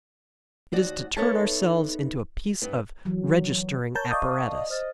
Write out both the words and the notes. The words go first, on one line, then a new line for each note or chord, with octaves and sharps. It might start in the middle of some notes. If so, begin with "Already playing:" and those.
It is to turn ourselves into a piece of registering apparatus.
D#2 F#4 D5
B3 D#4 A4 C#5 E5 A5
G2 B3
E3 F#3
A#4 C#5 A5 G6
D5 D#5 F5 A5 C#6 D#6
C5 D#5 F6 A6